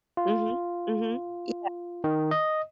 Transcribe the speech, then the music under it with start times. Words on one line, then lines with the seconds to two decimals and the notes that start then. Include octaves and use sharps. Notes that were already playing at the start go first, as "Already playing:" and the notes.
Mhm, mhm. Yeah.
0.17 F4
2.04 D#3
2.31 D#5